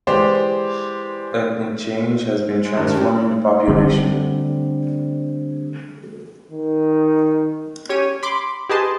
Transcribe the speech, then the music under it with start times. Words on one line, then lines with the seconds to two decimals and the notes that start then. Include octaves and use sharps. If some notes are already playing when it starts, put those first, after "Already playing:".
Ethnic change has been transforming the population.
0.07 E3 G#3 G4 C5 D5
2.63 G#3
2.77 G2 D#3
2.93 C#4 G4
3.68 D3 G3 A3 C4
6.51 D#3
7.89 C#4 G4 C#5 D#7
8.23 B5 C6 D6
8.69 G4 G#4 B4 D#5 A5 C6